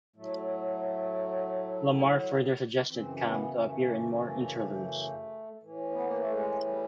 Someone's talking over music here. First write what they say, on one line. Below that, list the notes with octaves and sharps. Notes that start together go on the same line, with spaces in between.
Lamarre further suggested Cam to appear in more interludes.
A2 F#3 A3
F#2 C#3 E3 C4
B3
A3
A2 E3
B3
A#3
A3
G#3
G3